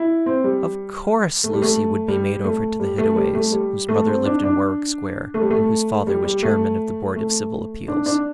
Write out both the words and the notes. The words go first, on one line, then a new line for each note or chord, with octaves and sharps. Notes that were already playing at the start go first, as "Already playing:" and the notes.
Of course Lucy would be made over to the Hittaways, whose mother lived in Warwick Square, and whose father was Chairman of the Board of Civil Appeals.
Already playing: E4
C4
G3
A3
G3
A3
G3
A3
G3
A3
G3
A3
G3
A3
C4
D4
D4
A3
G3
A3
G3
G3
A3
A3
D4
D4